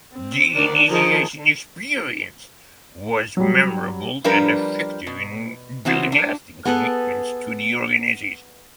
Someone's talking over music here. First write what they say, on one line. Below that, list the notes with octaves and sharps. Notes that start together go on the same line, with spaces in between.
The initiation experience was memorable and effective in building lasting commitments to the organization.
C4
D#3 D4 A#4 D5
D#3 F3 G#4 D#5 A5 A#5
F#3 G3
F3 G3 D4 A#4 B4
B2
E3 B3 C4 F#4
D4
B3 G#4 A4 B4